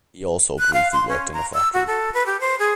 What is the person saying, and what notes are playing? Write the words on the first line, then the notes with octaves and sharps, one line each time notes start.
He also briefly worked in a factory.
F#6
F5
C6
C#4
A#5
E6
F#4
A4
B4
G4
C5
G#4